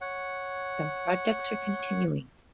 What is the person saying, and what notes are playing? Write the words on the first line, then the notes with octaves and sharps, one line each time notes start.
Some projects are continuing.
C#5 F#5